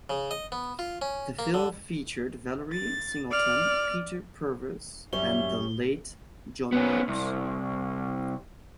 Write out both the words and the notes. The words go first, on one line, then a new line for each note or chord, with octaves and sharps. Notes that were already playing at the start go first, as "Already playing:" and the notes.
The film featured Valerie Singleton, Peter Purves and the late John Noakes.
C#3
D#5
B3
F4
C#4
A#3
D3
A6
D5 F6
F#2 G3 C#4 C#5 E5 G7
B3 C#4
C2